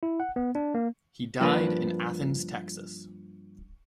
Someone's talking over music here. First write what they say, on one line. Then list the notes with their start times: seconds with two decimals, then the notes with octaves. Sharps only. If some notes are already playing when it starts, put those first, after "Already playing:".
He died in Athens, Texas.
0.03 E4
0.20 F#5
0.36 B3
0.55 D4
0.75 A#3
1.40 G2 F3 A#3 D4 B4